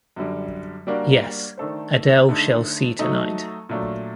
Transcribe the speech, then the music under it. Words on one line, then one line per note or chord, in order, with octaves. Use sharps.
Yes, Adele shall see tonight.
F#2 D3 G3
G3 A#3 D4 F#4
D#3 A3 D4 A4 C5
D3 A3 D#4
F#3 A3 D#4 A4 D#5
A#2 F#3 A3 D4